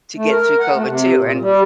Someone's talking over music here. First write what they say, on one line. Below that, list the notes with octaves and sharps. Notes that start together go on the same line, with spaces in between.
to get through COVID, too, and
A3
A#4
F#5
A3
C3
A#2
G3